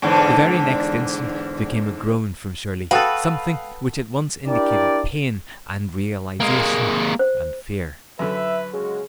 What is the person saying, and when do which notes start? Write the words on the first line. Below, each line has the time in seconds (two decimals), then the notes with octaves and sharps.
The very next instant there came a groan from Shirley, something which at once indicated pain and realization and fear.
0.02 E2 G#2 D3
2.91 F#4 A4 B4 F5 G5 D#6
4.46 D4 E4 G4 A#4 D5
6.40 G#3 A#3
7.19 C5
8.19 F#2 D3 B4 E5
8.73 C#3 G#3 F#4